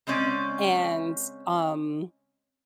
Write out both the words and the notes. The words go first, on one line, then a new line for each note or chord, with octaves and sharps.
And, um,
C#3 G#3 C4 C#4 D5